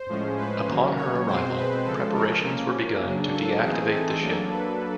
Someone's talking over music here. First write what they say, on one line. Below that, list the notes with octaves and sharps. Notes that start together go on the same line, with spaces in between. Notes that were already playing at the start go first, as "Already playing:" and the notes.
Upon her arrival preparations were begun to deactivate the ship.
Already playing: C5
A2 F3 G#3 C#4
B4
D#3 F#3 A#3 C#4
C#5
B2 G#3 C4 C5
B4
C#3 F3 G#3 A4
A#4
F3 A#3 C#4
C#3 F#3 A#3 D4
A4
E3 A3 C4 D#4 G#4
A4
F#3 A#3 D4 A4
B4